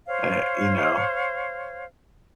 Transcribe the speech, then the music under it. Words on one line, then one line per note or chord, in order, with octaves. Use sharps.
eh, you know.
C5 C#5 F5